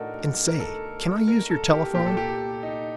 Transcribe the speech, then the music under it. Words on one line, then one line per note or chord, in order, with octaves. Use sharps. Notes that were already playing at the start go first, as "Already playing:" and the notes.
'And say, can I use your telephone?'
Already playing: A2 D4 D#4 F#4 A4 A#4
A#4
A4
A#4
A4
G4
A#2 G4
A4
G4
D#4